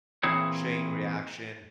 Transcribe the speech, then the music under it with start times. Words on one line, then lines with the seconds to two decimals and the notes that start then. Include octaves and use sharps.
chain reaction.
0.23 A#2 E3 C4 E4 G#4 C#5